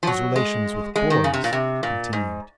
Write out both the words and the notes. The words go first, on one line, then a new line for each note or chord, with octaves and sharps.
His relations with boys continued.
F3
F#3
G#3
G#3
D#3
C#3
C3
A#2
C3
A#2
G#2